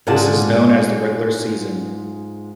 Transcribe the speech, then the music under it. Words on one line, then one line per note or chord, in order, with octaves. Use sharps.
This is known as the regular season.
G#2 G#3 F4 D5 F#5 A5